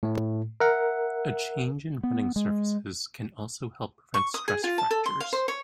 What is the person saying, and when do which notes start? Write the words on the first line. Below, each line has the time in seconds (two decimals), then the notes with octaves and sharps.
A change in running surfaces can also help prevent stress fractures.
0.03 A2 A3
0.60 A#4 E5 F#5
2.03 B3
2.36 G#3
4.14 C#6
4.34 D#6
4.48 G#4
4.64 F4
4.78 A5
4.91 A4
5.06 C6
5.20 F5
5.33 C5
5.48 C#5